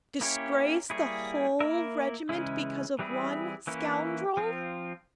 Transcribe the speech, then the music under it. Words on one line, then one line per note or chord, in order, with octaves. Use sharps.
Disgrace the whole regiment because of one scoundrel?
A#3 C#4 E4 G4 C#5
G3 A#3 E4 G#4 C#5
A#3 E4 A#4 E5
C#3 E3 G#3 C#4 E4
E3 G3 C4 E4 G#4
E3 A#3 C#4 E4
F3 C4 F4